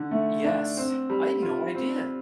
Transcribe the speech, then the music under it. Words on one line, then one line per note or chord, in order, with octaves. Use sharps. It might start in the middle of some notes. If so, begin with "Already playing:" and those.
Yes, I'd no idea.
Already playing: D3
A3
D4
C4
G3
F4
C4